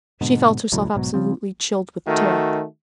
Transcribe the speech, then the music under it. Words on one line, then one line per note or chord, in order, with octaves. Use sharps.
She felt herself absolutely chilled with terror.
G#2 B2 D3
E1 C#2 A2 F#3
B1 G#2 B2 F#3
C#3 F3 C4
D#3 A3 F#4